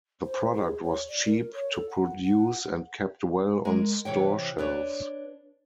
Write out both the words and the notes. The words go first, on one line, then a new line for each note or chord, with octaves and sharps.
The product was cheap to produce and kept well on store shelves.
C5
G#4
C#5
D5
A#4
C#5
A4
F#5
F#5
G#3 A#4
C3 E3 C#5 G5
D4 B4 C#5